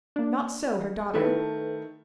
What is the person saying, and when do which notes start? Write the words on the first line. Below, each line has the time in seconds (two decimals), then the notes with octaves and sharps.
Not so her daughter.
0.16 A#3 D4
1.14 D#3 A3 E4 A4 B4